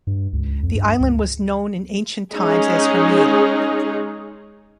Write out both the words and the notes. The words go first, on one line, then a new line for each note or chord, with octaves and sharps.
The island was known in ancient times as Hermea.
G2
C#2
F2
G2
C#2
G#3 C#4 D#4 G#4